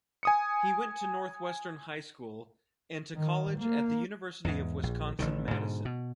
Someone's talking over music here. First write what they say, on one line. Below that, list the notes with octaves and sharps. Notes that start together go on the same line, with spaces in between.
He went to Northwestern High School and to college at the University of Wisconsin–Madison.
G#5 D#6 C#7
D#3
A#3
E2 G#2
A#1
A1 D3 D#3
G#2 B2 D3
B2